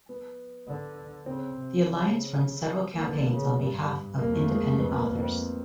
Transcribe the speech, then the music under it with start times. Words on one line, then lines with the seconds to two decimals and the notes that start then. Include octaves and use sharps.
The Alliance runs several campaigns on behalf of independent authors.
0.09 B3
0.68 D3
1.25 C#3 C4
1.55 C3
1.85 C#3
2.94 A#3
3.02 D3 B3
3.31 C#3
3.60 G2
4.19 F2 A#3
4.33 A3
4.48 G#3
4.64 A3
4.78 F2 B3
4.93 A#3
5.07 F2 A#3
5.22 C4